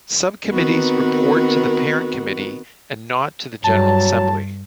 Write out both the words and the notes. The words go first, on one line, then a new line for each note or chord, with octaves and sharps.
Subcommittees report to the parent committee and not to the general assembly.
D#3 B3 C4 F#4 A#4 B4
G2 F#3 G3 A5